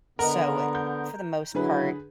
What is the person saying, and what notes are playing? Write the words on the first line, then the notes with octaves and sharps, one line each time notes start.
So, for the most part,
D3 B3 A#4 D#5 F#5
G6
D3 F#3 E4 G#4 B4